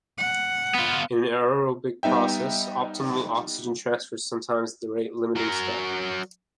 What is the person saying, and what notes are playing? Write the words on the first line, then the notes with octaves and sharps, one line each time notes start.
In an aerobic process, optimal oxygen transfer is sometimes the rate limiting step.
F#5
B3 F4
G3 B3 D#4 E5 G5
F#3 A#4